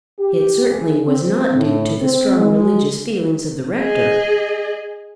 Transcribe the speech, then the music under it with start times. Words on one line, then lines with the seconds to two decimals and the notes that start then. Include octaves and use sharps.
It certainly was not due to the strong religious feelings of the rector.
0.19 G4
0.73 G#4
1.08 C4
1.56 A2
2.01 C4
2.36 G#3
3.78 G#4 D#5